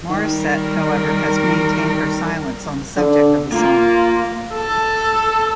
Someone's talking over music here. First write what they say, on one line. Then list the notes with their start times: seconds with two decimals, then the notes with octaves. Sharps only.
Morissette, however, has maintained her silence on the subject of the song.
0.10 D#3 G3 A#4
2.97 D3
3.52 A#3 F4 A#5
4.54 A4